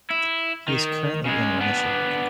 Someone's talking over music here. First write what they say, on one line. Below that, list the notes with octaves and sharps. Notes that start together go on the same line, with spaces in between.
He is currently in remission.
E4
D#3
C#3 G#3
B3 D4